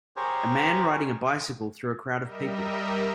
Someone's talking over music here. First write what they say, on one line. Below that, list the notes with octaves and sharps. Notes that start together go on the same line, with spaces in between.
A man riding a bicycle through a crowd of people.
G4 G#4 A#4 C5 C#5
G3 A#4 D#5 E5